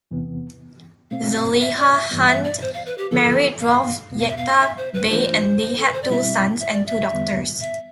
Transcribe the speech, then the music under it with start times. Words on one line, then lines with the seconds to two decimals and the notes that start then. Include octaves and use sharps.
Zeliha Han married Rauf Yekta Bey and they had two sons and two daughters.
0.11 E2 C3 E3 B3
1.11 B2 A3 C4 F5
1.61 E5
1.78 D5
1.94 E5
2.11 G2 E3 G3 B3
2.27 E5
2.44 D5
2.61 C5
2.74 F5
2.86 B4
2.98 G4
3.11 D3 F3 B3 F4 A4
3.60 F5
4.10 E2 B2 B3
4.19 F5
4.29 E5
4.37 F5
4.61 E5
4.77 C5
4.94 B4
5.10 E3 A3 D4 F4 C5
5.78 A4
5.86 B4
5.94 C5
6.03 D5
6.10 B2 G3 C4 E4 E5
6.60 E5
6.73 D5
6.86 E5
7.10 E2 D3 G3 B3
7.60 E5